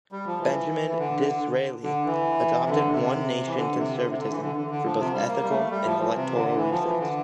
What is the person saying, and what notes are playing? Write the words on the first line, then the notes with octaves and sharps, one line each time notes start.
Benjamin Disraeli adopted one-nation conservatism for both ethical and electoral reasons.
G3
F3
E3
E3
D3
D3
D3
E3
C3
D3
C3
E3
D3
C3
D3
C3
D3
E3
D3
D3
D3
F3
C3
G3
A#3
G3
A3
G3
F3
E3
C3
D3
E3
F3
E3
D3